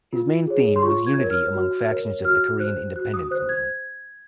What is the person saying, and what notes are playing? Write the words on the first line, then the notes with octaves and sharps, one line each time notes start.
His main theme was unity among factions of the Korean independence movement.
F4
G#4 C#5
C6
F4 C#6
G#6
A#4 C#5
F6
F#4
A#4 C#5
F#4 F6
C5 F#6
F#4 F#6
D#6
C5 F#6
G#6